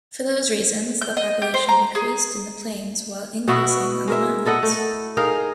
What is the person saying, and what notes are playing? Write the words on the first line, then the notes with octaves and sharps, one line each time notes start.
For those reasons, the population decreased in the plains, while increasing on the mountains.
G6
D#5
G4
C5
A#5
G#4
B2 B3 E4 F#4
G#3 A#4 E5
E4 A4 D#5 F#5
A3
D#4 G#4 A#4 F5